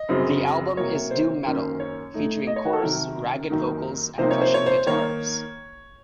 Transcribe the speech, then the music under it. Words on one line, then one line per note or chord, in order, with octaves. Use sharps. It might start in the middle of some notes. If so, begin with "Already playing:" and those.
The album is doom metal featuring coarse, ragged vocals and crushing guitars.
Already playing: D#5
F#2 C#3 F#3 C4
C3 F#3 A#3 C#5
C5
F#2 D#3 A#3 C#4
C#5
A2 A3 D#4
D#5
C#5
F#4
A4
C3 D#3 F#3 A#4
F#2 D#3 F#3 A#3 D#4
C3 F3 A#3 D#4 C5
C#5
C5
C#5
C5
D#3 A#3 D#4 C#5